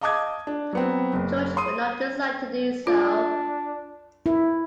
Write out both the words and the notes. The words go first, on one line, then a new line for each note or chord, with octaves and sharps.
George would not decide to do so.
D#5 F5 A5 D6 D#6 G#6
D4
F#3 B3 C4
F#1
C6 D#6 D#7
D4 F4
E4